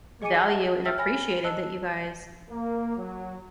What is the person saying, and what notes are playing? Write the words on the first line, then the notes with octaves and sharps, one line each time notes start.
value and appreciated that you guys,
G#4 D#5 G#5 D6 C#7 D#7
G#4 E5 F#5 A5
F4 E5 G5 E6 F6
C#5 G#5 B5 F6 A#6
D#5 A5 E6 F#6
A#3
F#3